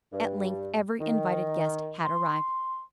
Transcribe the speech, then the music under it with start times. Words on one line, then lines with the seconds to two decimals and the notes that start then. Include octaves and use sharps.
At length every invited guest had arrived.
0.12 G2
1.00 D#3
2.04 C6